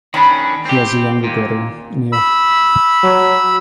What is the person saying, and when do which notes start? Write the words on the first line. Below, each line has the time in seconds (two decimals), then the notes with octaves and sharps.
He has a younger brother, Neil.
0.14 D#3 C#4 D4 B5
0.65 C4 G4
1.24 D#2 A#2
2.12 B5 E6
3.04 F#3